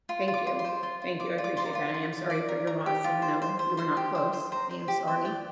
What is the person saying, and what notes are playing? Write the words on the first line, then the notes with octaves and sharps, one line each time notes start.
Thank you. Thank you. I appreciate that. I am sorry for your loss even though you were not close. I am sorry.
F4 C6
F4
D6
F4
C6
C5
F4 C6
F4
D5 D6
F4
D6
D5 C6
A#5
F4 C6
F4
D5
D5 D6
A#4
A#4
G4
F4
C5
C5
C5
C5 C6
G4
C5
C5
C5 A#5
C5
G4
C5
D5 G5